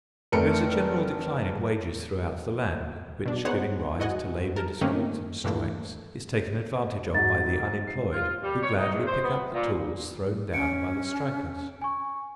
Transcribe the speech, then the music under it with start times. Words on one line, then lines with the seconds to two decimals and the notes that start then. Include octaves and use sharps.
There is a general decline in wages throughout the land, which, giving rise to labour disputes and strikes, is taken advantage of by the unemployed, who gladly pick up the tools thrown down by the strikers.
0.32 F1 A3 A#4 C#7
3.26 B2 D4
3.45 B3 D#4 G#4 C5 C#5 F#5
3.99 E4 F#4 D#5 F#5 G#5
4.56 A#4 A5
4.81 G2 D#3 A3 A#3 C4 C#4
5.44 G2 A#2 E3 A3 A#3
7.14 G#2 F#4 A6
7.87 C7
8.12 F4
8.42 G3
8.63 C#5
8.78 D#4
8.93 E2
9.06 C5
9.23 B3
9.53 A#2
10.54 C#4 C#7 D7
11.82 G#5 C#6